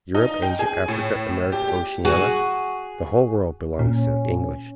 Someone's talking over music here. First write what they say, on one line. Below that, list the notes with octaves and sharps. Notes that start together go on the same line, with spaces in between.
Europe, Asia, Africa, America, Oceanica, the whole world belongs to the English.
D#4
G5
G#4
A2
G4
G4
F#4 G#4
A#2 C#4